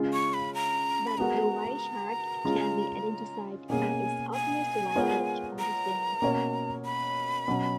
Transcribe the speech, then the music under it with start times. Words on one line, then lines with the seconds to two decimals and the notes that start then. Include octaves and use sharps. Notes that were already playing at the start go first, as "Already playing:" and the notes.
But the white shark can be identified by its obvious white edge of the fin.
Already playing: C#3 G#3 C#4 F4
0.13 C#6
0.34 B5
0.54 A#5
1.07 B5
1.17 G#3 B3 F#4 A#4 A#5
2.44 C#3 G#3 C#4 F4
3.69 B2 A#3 C#4 G#4 G#5
4.32 G#5
4.96 G#3 B3 F4 A#4 C#5
5.59 A#5
6.22 B2 A#3 C#4 F#4 C#5
6.85 B5
7.48 B2 F#3 C#4